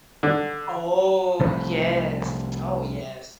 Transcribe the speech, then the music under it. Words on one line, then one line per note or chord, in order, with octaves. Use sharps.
Oh, yes. Oh, yes.
D3
C2 C3 F3 A3